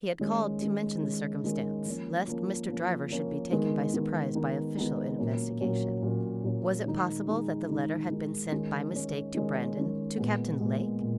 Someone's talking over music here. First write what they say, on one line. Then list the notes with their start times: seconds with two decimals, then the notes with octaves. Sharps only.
He had called to mention the circumstance, lest Mr. Driver should be taken by surprise by official investigation. Was it possible that the letter had been sent by mistake to Brandon--to Captain Lake?
0.19 D#3 G#3 C#4
0.61 D#3 G#3 C#4
1.02 D#3 G#3 C#4
1.44 D#3 G#3 C#4
1.86 F3 A#3 C#4
2.28 F3 A#3 C#4
2.69 F3 A#3 C#4
3.10 F3 A#3 C#4
3.52 D#3 G#3 B3 D#4
3.94 D#3 G#3 B3 D#4
4.35 D#3 G#3 B3 D#4
4.77 D#3 G#3 B3 D#4
5.18 A#2 F#3 A#3 C#4
5.61 A#2 F#3 A#3 C#4
6.02 A#2 F#3 A#3 C#4
6.44 A#2 F#3 A#3 C#4
6.86 D#3 G#3 D#4
7.27 D#3 G#3 D#4
7.69 D#3 G#3 D#4
8.10 D#3 G#3 D#4
8.52 D#3 G#3 C#4
8.93 D#3 G#3 C#4
9.35 D#3 G#3 C#4
9.77 D#3 G#3 C#4
10.18 A#2 G#3 B3
10.60 A#2 G#3 B3
11.02 A#2